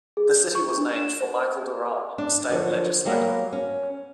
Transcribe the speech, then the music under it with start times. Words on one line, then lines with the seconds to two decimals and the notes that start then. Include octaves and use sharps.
The city was named for Michael Doran, a state legislator.
0.17 G#4
0.31 G6
0.55 C#6
0.78 D4
0.96 E7
1.21 C5
2.18 D4
2.49 D3 F3 F#3
3.05 F#3 G3 A#3 B3
3.53 C#4